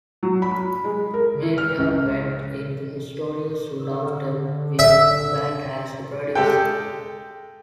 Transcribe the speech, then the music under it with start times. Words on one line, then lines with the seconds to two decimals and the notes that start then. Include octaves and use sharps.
Melua went into the studio soon after with Batt as the producer.
0.23 F#3
0.42 B5
0.84 G#3
1.14 A#4
1.42 E4
1.58 F6
1.78 C#2
3.91 D3
4.79 E5
6.35 G#3 G4 A4 G5